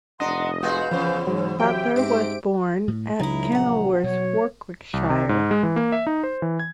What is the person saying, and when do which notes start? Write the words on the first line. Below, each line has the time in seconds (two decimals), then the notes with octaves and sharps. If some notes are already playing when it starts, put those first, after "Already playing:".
Butler was born at Kenilworth, Warwickshire.
0.20 F1 D4 D#5 F#5 A#5 C6
0.63 G#3 F#4 B4 F5 G6
0.91 E2 C#3 F3 C5
1.27 G#2 F#3 C#5
1.59 F#3 G4 E5 G5
1.96 G#2 C4 D7
2.88 A2
3.19 C#2 C#3 F#3 D#4 E4 A#5
3.52 A#1 E2 F#5
4.04 B2 F#3 C#5
4.93 C2
5.10 C3
5.29 G#2
5.51 G#3
5.63 E3
5.76 A#3
5.92 E5
6.07 D#4
6.24 C5
6.42 E3
6.59 G#6